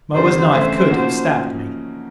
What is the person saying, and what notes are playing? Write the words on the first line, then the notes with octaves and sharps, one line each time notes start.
Moa's knife could have stabbed me.
F#2 D3 G3 B3 D4 C5
C#3 E3 A3 C4 C5
C#3 F3 A#3 D#4 F#4